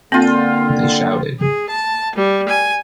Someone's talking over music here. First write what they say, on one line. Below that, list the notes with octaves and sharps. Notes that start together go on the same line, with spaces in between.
They shouted.
D3 A#3 C4 F4 G5
G#4
A5
G3
G#5